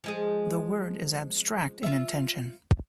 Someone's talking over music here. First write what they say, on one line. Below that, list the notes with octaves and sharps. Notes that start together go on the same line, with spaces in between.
The word is abstract in intention.
F3 G#3 G#4
F4 E5